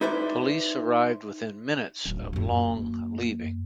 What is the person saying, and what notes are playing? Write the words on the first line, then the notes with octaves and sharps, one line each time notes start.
Police arrived within minutes of Long leaving.
D#4 E4 B4 C5 D5 E5
D1
F#2 A#3